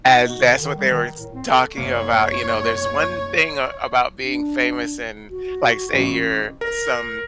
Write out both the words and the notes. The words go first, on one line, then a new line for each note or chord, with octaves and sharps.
and that's what they were s talking about, you know. There's one thing a about being famous and, like, say, you're some,
D#4
F#4
D3
D#3
G3
D#3
A#4
A2
C4
A4
F#2 C3 A#3 C#5
D4
F#4
A1
A#4